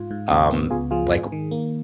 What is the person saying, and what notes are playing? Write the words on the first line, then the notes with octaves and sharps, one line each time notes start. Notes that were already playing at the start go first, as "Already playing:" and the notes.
um, like,
Already playing: G#2 F4
G#2
C#3
B3
C#2 F4 G#4
F3 F4 G#4
G#2
D#3
A#3